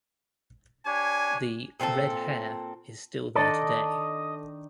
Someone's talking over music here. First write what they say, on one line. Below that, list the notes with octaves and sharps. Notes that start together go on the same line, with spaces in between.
The "Red Hare" is still there today.
D4 G4 C#5 G#5
A#2 C4 F4 A4
D#3 D4 A4 D5 D#5